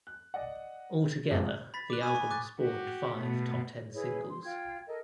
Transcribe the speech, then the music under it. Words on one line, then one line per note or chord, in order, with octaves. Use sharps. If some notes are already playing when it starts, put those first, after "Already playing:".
Altogether the album spawned five top-ten singles.
F#6
D5 D#5 F#5
A1 F2 C3 G#3 F4 E5
B5 A6 B6
D6 F#6
G#5 B5 D#6
C#6
D6 F#6 A6
F#4 G4
B2 A3
E4 G#4 B4 C#5
C6
F4 G5 G#6
A4 A#4 D#5